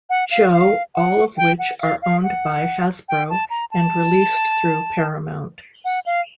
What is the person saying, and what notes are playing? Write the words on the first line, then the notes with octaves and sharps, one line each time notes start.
Joe all of which are owned by Hasbro and released through Paramount.
F#5
F5
F5
F#5
G5
F#5
F5
F5
F#5
G5
A5
A#5
A5
F#5
F5